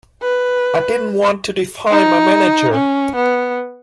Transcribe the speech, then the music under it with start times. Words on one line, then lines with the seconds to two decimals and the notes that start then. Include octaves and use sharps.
I didn't want to defy my manager.
0.22 B4
1.90 D#4
2.74 C#4
3.16 B3